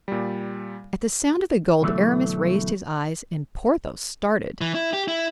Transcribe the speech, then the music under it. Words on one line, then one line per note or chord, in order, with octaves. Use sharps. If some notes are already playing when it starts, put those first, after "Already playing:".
At the sound of the gold Aramis raised his eyes and Porthos started.
A#2 G3
D2 B2 E3 F#3 G#3 A3
E3
E4
G4
E4